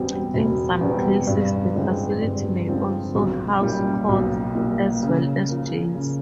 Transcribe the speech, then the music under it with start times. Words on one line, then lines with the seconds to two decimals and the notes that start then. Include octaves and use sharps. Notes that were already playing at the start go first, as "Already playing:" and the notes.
In some cases, the facility may also house courts as well as jails.
Already playing: E1 E2 B2 G3 C4
0.34 E1
0.81 E2 B2 G3 C4
1.27 G2
1.75 D3 F3 G#3 C4
2.21 G2
2.68 D3 F3 G#3 C4
3.15 B1
3.61 A#2 G3 A#3
4.09 B1
4.55 A#2 G3 A#3
5.03 C#3
5.49 F3 A#3
5.95 C#3